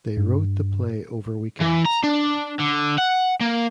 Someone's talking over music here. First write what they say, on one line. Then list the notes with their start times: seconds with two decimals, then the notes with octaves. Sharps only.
They wrote the play over weekends.
0.17 G2
1.60 E3
1.85 A#5
2.04 D4
2.60 D3
2.98 F#5
3.41 A#3